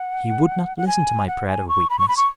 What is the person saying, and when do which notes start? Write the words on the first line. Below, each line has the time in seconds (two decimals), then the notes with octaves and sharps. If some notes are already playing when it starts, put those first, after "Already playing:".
He would not listen to my prayer of weakness.
Already playing: F#5
0.77 F#5
0.87 G#5
1.28 F#5
1.48 G#5
1.69 C#6
1.90 B5
1.99 C#6
2.08 B5
2.17 C#6